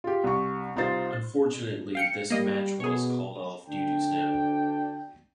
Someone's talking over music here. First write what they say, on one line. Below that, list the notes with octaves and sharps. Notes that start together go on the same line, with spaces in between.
Unfortunately this match was called off due to snow.
F4 G4
C2 C#6
C2 D#4 F4 C5 A6
F5 G5 C#7
G3 A#3 D#5
B2 G#4 C#5
D2 D4 G5